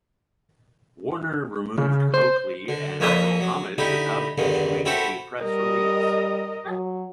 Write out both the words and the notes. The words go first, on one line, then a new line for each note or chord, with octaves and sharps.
Warner removed Cokely and Muhammad without issuing a press release.
C#3
C5
D3
F2 A#3 C#4 E5 C6 D#6
F#3
D3 D#4 E4 G4
E2 G2 D3 D#3
C4 E4 F#4 G4 A4
G3 A#4 D#5
F#3